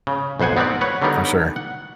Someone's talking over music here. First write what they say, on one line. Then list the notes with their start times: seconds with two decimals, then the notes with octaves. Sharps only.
For sure.
0.07 C#3
0.40 B1 F2 C5 F#5 G#5
0.57 B3 C4 A#4 D5 F#5
0.81 B4 C#5 F#5
1.02 D3 F#3 G3 B3 D#4 A#4
1.56 F#5